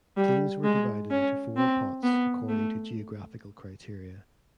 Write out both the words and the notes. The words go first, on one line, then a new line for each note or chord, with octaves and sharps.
Teams were divided into four pots according to geographical criteria.
G3
G#3
C#4
C4
B3
A3